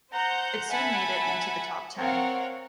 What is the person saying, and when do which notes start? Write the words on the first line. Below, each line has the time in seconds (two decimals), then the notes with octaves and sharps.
It soon made it into the top ten.
0.12 C5 F#5 A#5 G6
0.68 E5 F#5 G#5 A5 B5
1.97 C4 A#4 C#5 F5 F#5